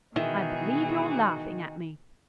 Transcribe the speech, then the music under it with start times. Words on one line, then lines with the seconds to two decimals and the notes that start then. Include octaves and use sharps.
I believe you're laughing at me!
0.16 B2 D#3 E3 G#3 E4 F#4 G#4